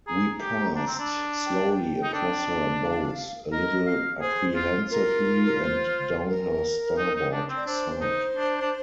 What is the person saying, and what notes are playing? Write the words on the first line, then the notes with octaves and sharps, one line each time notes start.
We passed slowly across her bows, a little apprehensively, and down her starboard side.
G#4 A#5
G4
D4
C4
D4
G5
D#4
D4
F5
A#4 D#5
F5
G#4 C5
F4
F4 A#4
A#4
C5
A#4
D#4
D#4
D4
C4
D5
D4 C5
D#4
D4
D4